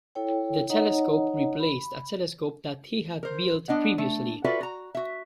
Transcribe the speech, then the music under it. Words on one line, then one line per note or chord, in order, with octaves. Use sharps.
The telescope replaced a telescope that he had built previously.
E4 A4 C#5 G5
D#4 C#5 D#5 F#5 A#5
B5
A#4 C5
B3 D4 D#5 F#5
A3
F4 F#4 A4 B4 D5 E5
F#4 A#5
F#4 E5